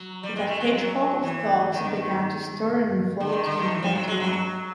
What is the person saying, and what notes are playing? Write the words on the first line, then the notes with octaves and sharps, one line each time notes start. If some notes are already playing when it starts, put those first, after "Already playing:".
That hedgehog of thoughts began to stir and unfold and come to life.
Already playing: F#3
G3
G#3
A3
G#3
F#3
E3
D#3
D3
D#3
D3
D#3
D3
D#3
E3
F3
F#3
G#3
F#3